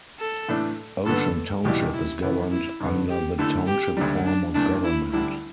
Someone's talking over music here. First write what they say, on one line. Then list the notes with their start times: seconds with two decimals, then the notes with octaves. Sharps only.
Ocean Township is governed under the Township form of government.
0.19 A4
0.48 A2 E3 A3 D4
1.06 G2 D3 B3 A4
1.64 E2 B2 G3 E4 G4
1.94 E4
2.22 E2 E3 B3 E4
2.52 E4
2.80 G2 D3 B3
3.10 G4
3.38 D3 A3 E4 A4
3.67 G4
3.97 D2 D3 G3
4.26 D4
4.54 E2 E3 A3 D4
4.84 E4
5.13 D2 D3 G3 D4 E4